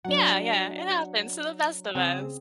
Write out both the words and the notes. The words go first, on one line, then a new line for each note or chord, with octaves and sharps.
Yeah, yeah, it happens to the best of us.
F#3 D4 F#5
C#3 C4 G#4